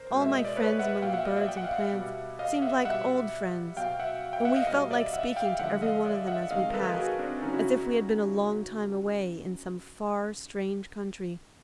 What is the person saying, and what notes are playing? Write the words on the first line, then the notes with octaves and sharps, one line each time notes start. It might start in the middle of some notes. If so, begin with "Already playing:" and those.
All my friends among the birds and plants seemed like OLD friends, and we felt like speaking to every one of them as we passed, as if we had been a long time away in some far, strange country.
Already playing: A#4 C5
B2 G#3
E5
D#5
D5
B4 C#5
E5 F#5
A#2 F#3 F5 G5
E5 F#5
D#5 F5
D5 E5
G5
F#5
F5
E5 F#5
B2 G3
D#5 F5
E5 F#5
B2 G3 E5 F#5
B2 F#3 F5 G5
E5 F#5
F5 G5
E5 F#5
D#5 F5
B2 G3 D#5 F5
D5 E5
E5 F#5
F5 G5
D3 F3 G#3 E5 F#5
D#5 F5
D5 E5
E5 F#5
C3 D#3 G#3 D#5 F5
A#4
A4 B4
G#4 A#4
F#4 G#4
C4 D4
C#3 F#3 C#4 D#4
E4 F#4